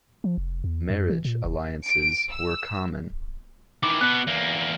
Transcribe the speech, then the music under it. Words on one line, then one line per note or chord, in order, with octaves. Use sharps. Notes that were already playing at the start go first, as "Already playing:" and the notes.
Marriage alliances were common.
F3
F1
E2
F#2
E3
A#2
F1
D7
E6
D#3 E3 D6
B2 B3 F#6
E2 A#3